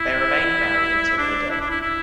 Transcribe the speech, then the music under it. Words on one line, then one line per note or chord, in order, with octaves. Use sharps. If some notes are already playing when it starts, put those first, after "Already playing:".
They remained married until her death.
Already playing: E4
D4
E4
D4
E4
E4